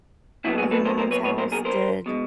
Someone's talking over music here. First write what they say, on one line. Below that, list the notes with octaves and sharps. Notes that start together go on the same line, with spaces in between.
of your mom's house, did
A#2 F#3 B3 E4 F#4
A4
F#4 G#4
A4 B4
A#4 C5
A#4 C5
B4 C#5
B4 C#5
A#4 C5
G#4 A#4
A#4 C5
B2 G#3